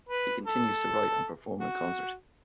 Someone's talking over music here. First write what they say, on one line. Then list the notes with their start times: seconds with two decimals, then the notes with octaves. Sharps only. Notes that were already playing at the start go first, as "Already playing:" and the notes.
He continues to write and perform in concert.
0.09 B4
0.47 A4
1.60 F#4